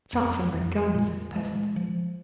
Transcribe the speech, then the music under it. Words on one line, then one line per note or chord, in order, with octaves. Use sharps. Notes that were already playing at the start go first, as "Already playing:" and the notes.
"A shot from my gun!" said the peasant.
F2
F2
A#2
G#3
F3